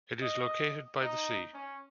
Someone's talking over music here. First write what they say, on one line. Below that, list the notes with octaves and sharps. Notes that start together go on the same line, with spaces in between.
It is located by the sea.
D#5
D#4
C#4